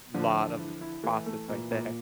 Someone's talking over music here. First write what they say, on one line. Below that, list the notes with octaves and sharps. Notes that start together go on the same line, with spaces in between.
lot of a process right there.
D3 F3 D4
E3
E4
E4
E3 A3
A3
A#2
A#2